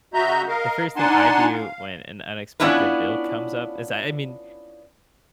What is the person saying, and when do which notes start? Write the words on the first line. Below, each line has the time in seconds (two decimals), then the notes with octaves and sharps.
the first thing I do when an unexpected bill comes up is that, I mean
0.14 C#3 F#4 D#5 E5 A#5 G6
0.48 A#4 D#5 F5
0.96 D4 D#4 F#5 G#5 A5 C6
1.52 F5
2.60 B3 C#4 D4 E4 F4 B4